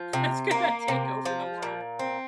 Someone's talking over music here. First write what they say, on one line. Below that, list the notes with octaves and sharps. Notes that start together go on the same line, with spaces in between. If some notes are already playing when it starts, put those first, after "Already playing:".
It's gonna take over the world.
Already playing: F3
C3
A#3
C3
F3
A#2
C4